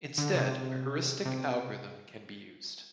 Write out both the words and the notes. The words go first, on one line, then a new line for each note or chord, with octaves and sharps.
Instead, a heuristic algorithm can be used.
D3
C3
C3